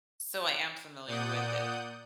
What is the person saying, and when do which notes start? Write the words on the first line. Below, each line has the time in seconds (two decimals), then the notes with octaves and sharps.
So I am familiar with it
1.07 A#2 D5 F#5 D#6 G6